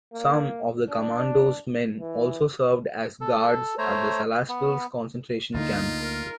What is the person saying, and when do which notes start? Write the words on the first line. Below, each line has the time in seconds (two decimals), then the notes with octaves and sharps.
Some of the commando's men also served as guards at the Salaspils concentration camp.
0.13 A#3
0.89 D4
2.00 E3
3.21 A4
3.78 A3 C5 C#5 A#5
4.49 B3
5.55 D2 D3 A#3 D#4 F4
6.00 A#4